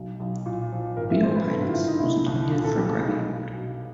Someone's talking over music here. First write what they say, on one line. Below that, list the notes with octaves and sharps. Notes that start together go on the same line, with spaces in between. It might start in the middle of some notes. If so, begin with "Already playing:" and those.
"We Are Pilots" was nominated for a Grammy Award.
Already playing: B1
B1
A#2
F3
G#1 A#4
E5
G#1 C5
B4
G2 A4
F#4
F4
D3 E4
D#4
C2 E4
C2
A#2
A4
G3 G4
G#4
B1 D#4
B1
B2